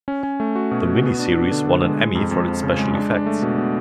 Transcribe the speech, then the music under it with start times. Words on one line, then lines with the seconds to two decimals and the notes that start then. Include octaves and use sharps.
The mini-series won an Emmy for its special effects.
0.08 C#4
0.23 C#4
0.40 A3
0.56 F#4
0.71 B2
0.87 F#4
1.03 B3
1.19 D4
1.35 D4
1.51 D3
1.67 D3
1.83 G#3
1.99 G#3
2.15 F2
2.31 F2
2.47 F3
2.63 C#3
2.79 G#3
2.95 D4
3.11 D4
3.26 A3
3.42 B2
3.58 B2